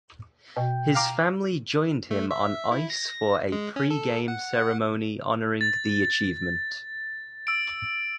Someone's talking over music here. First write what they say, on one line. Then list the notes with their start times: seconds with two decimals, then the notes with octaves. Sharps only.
His family joined him on ice for a pre-game ceremony honouring the achievement.
0.57 B2 G5
0.95 F5 A#5 D6
2.11 A3
2.31 E5
2.72 E4
2.90 A#6
3.52 G#3
3.76 C#4
3.91 A4
4.28 F#5
5.61 A6
7.47 E6 D7